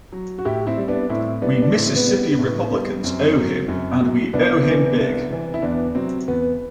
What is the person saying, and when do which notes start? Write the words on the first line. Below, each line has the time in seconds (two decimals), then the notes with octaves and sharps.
We Mississippi Republicans owe him, and we owe him big.
0.12 F#3
0.38 F#4
0.45 A2 E4 G4
0.67 C4 E4
0.77 G3
0.88 B3 D4
1.09 A2 C4 E4
1.42 G3 B3 D4
1.62 D4
1.74 A2 C4
1.96 B3
2.07 G3
2.18 B3
2.32 B3
2.39 A2
2.72 G3
3.04 F#2 C4
3.36 F#3
3.68 F#2
4.01 F#3
4.33 C2 B3 D4
4.66 C3 E3
4.98 C2
5.31 C3 E3
5.54 E4
5.62 E2 B3 D4
5.95 C3 F#3 C4
6.28 E2 B3